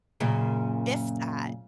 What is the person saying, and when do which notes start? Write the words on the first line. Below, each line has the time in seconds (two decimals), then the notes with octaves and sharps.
If that
0.20 F#2 A#2 C#3